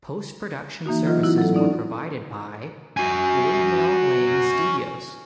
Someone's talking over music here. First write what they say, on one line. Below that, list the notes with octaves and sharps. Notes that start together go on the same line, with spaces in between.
Postproduction services were provided by Windmill Lane Studios.
E3 A#3 D#4 F#4
F#3 F4 D#5
C4 D#4 E4 F#4
F#3 A4
C#4 D#4 D5
F#4 G#5